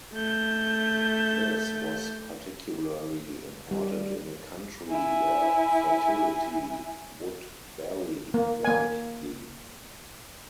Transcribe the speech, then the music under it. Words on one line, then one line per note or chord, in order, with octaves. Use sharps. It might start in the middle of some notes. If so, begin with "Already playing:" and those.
This was particularly important in a country where fertility would vary widely.
A3 G6
G3
E4 G#5
A#3
A#3 G#5